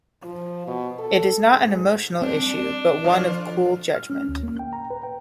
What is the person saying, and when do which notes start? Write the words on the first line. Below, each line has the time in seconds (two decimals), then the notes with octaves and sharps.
It is not an emotional issue but one of cool judgment.
0.24 F3
0.67 B2
0.99 A4
1.52 G#2
2.22 G3 C4 D4
3.04 D3 F3 F4
3.95 F6
4.10 C#4
4.29 D2
4.43 A#3
4.59 G5
4.73 A#5
4.90 B4
5.03 G5